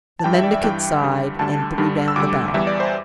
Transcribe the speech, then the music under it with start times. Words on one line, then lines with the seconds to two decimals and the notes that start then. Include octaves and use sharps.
The mendicant sighed and threw down the bag.
0.19 A5
0.24 G2 E3 G3 G5
0.34 E5
0.44 D5
0.54 E5
0.63 G2 E3 G3 G5
1.02 G2 D3 G3
1.39 D2 D3 G3 A5
1.78 G2 D3 G3
2.08 E6
2.16 D2 D3 G3 D6
2.54 E2 E3 G3 E5
2.67 D5
2.80 C5